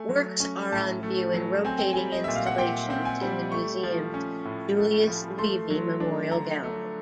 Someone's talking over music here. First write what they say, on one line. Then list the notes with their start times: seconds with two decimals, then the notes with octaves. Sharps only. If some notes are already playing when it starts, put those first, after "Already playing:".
Works are on view in rotating installations in the museum's Julius Levy Memorial Gallery.
Already playing: A3 G#5
0.09 F#3
0.40 C#4
0.72 A2 A5
1.03 A3
1.34 F#3
1.65 C4 G#5
1.79 G5
1.93 G3 G#5
2.12 D#5
2.24 A#2 E5
2.36 F5
2.46 F#5
2.58 A#2 G5
2.90 C4
3.05 G#5
3.21 G3
3.52 A3 C#6
3.83 F3
4.14 C#4
4.45 A2
4.77 A3
5.07 F3
5.38 A3 C6
5.70 F#3
6.00 D4
6.32 D3 A#5
6.63 A3